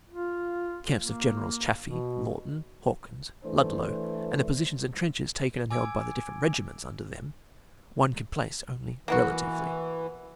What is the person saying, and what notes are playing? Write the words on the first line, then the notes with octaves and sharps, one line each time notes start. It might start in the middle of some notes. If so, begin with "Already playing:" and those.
The camps of Generals Chaffee, Lawton, Hawkins, Ludlow, and the positions and trenches taken and held by the different regiments under them one can place only relatively.
F4
A#3
B2
E3 A3 D4 C5
G#5 D6 E6 G#6 D7
E3 A#3 B3 F#4